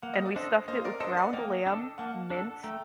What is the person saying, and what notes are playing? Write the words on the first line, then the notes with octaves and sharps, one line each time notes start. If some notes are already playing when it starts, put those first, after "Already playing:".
And we stuffed it with ground lamb, mint,
A#3 F#5
D#5
D5
D4 A4 C5 D#5
A#3 C5 D#5
A#4 D5
D4 A4 C5 D#5
D5 F#5
A#3 D#5 G5
D4 A4
A#3 F#5 A5
D4 A4
A3 G5 A#5